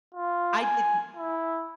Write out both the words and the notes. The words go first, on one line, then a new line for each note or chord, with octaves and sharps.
I didn't
F4
G#5
E4